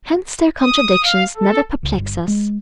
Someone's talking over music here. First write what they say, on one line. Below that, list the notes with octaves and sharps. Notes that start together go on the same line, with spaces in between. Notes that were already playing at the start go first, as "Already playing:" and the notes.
Hence their contradictions never perplex us.
D#6
F5
A4
C#2
G1
G#3